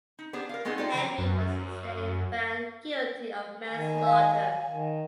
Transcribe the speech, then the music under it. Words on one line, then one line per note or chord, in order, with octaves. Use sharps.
Henry was instead found guilty of manslaughter.
D#4
B3 D4 G4 G#4 C5
A#4 F5
G#3 A3 B3 C4 D#4 G#4
D#4 F4 G4 A4 C5 D5
C#3 E3 F#3 A#5
F#2
D#3 G#5
F5
D#3